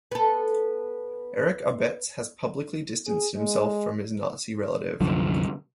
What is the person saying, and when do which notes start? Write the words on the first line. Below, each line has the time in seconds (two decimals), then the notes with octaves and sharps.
Eric Abetz has publicly distanced himself from his Nazi relative.
0.11 B3 A4
3.07 G#4
3.36 G#3
5.01 C2 F#2 D3 F3